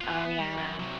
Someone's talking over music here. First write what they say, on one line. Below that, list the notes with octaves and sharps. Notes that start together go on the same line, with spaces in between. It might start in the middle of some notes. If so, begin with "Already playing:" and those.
Oh, yeah.
B3 F4
B3
G3
F#2
C3 F#3